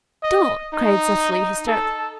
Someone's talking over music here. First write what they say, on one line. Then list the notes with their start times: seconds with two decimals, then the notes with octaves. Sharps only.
"Don't," cried Cecily hysterically.
0.23 D#5
0.73 D#4
1.32 D#4
1.67 A4